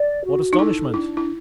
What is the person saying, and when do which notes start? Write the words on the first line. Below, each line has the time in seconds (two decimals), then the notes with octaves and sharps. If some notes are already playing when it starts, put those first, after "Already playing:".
What astonishment!
Already playing: D5
0.25 F#4
0.53 D#4
0.59 E4 A4
0.94 D4 E4
1.17 E4